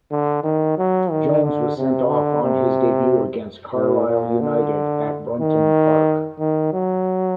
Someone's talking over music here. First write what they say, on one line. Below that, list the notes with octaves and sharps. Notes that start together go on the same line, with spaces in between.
Jones' was sent-off on his debut against Carlisle United at Brunton Park.
D3
D#3
F#3
D#3
D3
C3
D3
C3
A2
A#2
D3
D#3
D#3
F#3